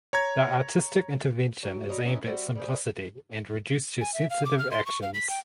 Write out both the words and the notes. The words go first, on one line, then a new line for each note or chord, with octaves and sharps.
The artistic intervention is aimed at simplicity and reduced to sensitive actions.
C#5 A#5 G#6
F#3
F#3 G3 C#5 D#5
B3 C#4 D#4 E4
G3 C4 F#4 C5 E5
G3 G#4 C5
G#5
E5
F5
D6
F6
C6
C#6
F5
B6
G5